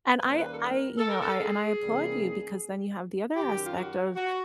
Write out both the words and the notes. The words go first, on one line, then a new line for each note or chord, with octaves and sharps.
and I I you know, I and I applaud you, because then you have the other aspect of,
D#2 D#3 G3 A#3 C#4 B4
C5
B4
A4
A#4
A4
A#4
A4
G#4
C3 E3 G3 A#3 C#4
F#2 D#3 F#3 G4
F4
F#4
F#4